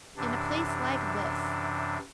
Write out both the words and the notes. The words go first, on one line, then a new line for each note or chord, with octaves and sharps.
"In a place like this."
F#2 C3 E3 D4